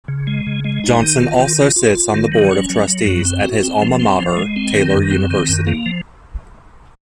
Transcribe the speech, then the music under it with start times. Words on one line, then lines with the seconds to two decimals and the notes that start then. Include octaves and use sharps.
Johnson also sits on the Board of Trustees at his alma mater, Taylor University.
0.08 C#3
0.27 G#3
0.46 C#3
0.64 G#3
0.84 D#4
1.02 D#3
1.20 F4
1.39 D#3
1.58 F4
1.76 F4
1.95 F4
2.14 D#3
2.32 F#3
2.51 C#4
2.70 F#3
2.88 F#3
3.06 F#2
3.25 C4
3.44 F#4
3.63 C4
3.82 F3
4.00 C4
4.19 F3
4.37 G#3
4.56 C4
4.74 D#3
4.93 F#2
5.11 C4
5.30 D#3
5.49 F#2
5.67 A#3
5.86 F3